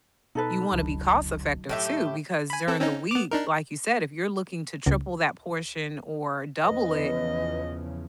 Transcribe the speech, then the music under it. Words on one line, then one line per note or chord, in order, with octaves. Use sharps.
you wanna be cost effective too because during the week, like you said, if you're looking to triple that portion or double it,
B2 D#4 A4 B4
F1 C#2 F#3
A2 D#3 G4 E5
G#5 B5
C4 A4
C4 C#4 D#4
B3 D6
D4 D#4 A#4
C#2
E2 C#3 F3 B4 D#5